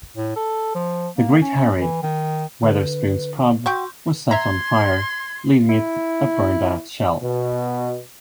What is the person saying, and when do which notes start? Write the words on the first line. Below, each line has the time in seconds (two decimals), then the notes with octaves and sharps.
"The Great Harry" Wetherspoons' Pub was set on fire, leaving it a burned-out shell.
0.17 A2
0.36 A4
0.75 F3
1.18 A#3
1.42 C#4
1.81 E3
2.03 D#3
2.63 D3 B4
3.66 F#4 E5 F#5 G5 C6 C#6 G6
4.31 E5 A#5 C6 G#6
5.69 E4
7.22 B2